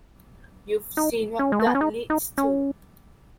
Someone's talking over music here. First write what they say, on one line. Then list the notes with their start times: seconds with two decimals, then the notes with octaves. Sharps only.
You've seen what that leads to.
0.97 D#4
1.39 C#4
1.52 G#3
1.59 A3
1.67 B3
1.75 C#4
1.81 D#4
2.10 D#4
2.38 C#4